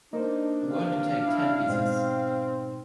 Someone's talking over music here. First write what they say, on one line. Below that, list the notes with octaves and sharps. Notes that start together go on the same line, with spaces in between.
I’m going to take ten pieces.
A#3 D4 D#4 A#4 C5
C3 F5
E4
G#2 B2 C4 D#4